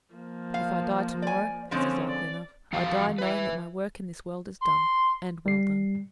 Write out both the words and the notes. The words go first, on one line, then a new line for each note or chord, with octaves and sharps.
If I die to-morrow, as is likely enough, I die knowing that my work in this world is done, and well done.
F3 A#3
F5
D5 G#5
D3 F3 G#3 C4 C#4
D5
F2 E3 F#4 F5
B4 E5
C6
G3 C7